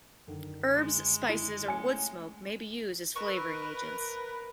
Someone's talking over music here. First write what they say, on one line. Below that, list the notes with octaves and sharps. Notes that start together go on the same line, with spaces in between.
Herbs, spices, or wood smoke may be used as flavoring agents.
F#2 D3 D#3
G#3
E4
A3 C#4 E4 G#5 C#7
A#4 B4 D#5 C#6 E6